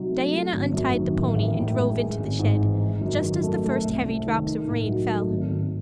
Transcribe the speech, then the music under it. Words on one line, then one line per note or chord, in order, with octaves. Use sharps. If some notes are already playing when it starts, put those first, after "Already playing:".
Diana untied the pony and drove into the shed, just as the first heavy drops of rain fell.
Already playing: C3 F#3 D#4
A3
A3
G#1
F#2
D#3
A1
A1
A2
G#3
G#3
G#1
G#2
E3
D#4
F#2
D#3
A3
A3
C2
C3
D#3
D#4
A2
F#3
A3
G#1
G#1